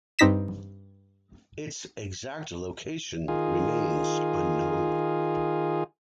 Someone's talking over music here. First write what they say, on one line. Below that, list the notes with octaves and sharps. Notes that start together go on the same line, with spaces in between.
Its exact location remains unknown.
G2 C4 D#4 A#6 B6 E7
D#3 F4 G#4